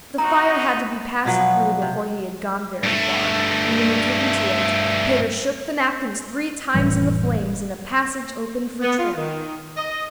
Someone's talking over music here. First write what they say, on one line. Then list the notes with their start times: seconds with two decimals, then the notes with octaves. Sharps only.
The fire had to be passed through before he had gone very far, and when he came to it, Peter shook the napkins three times in the flames and a passage opened for trim.
0.18 C4 D#4 F#4 A#5
1.25 B2 F3 F#3 B4
1.82 C3
2.83 G2 A3
6.74 F1 A2 E3 G3
8.82 B3
8.99 F4
9.17 D#3
9.77 D#5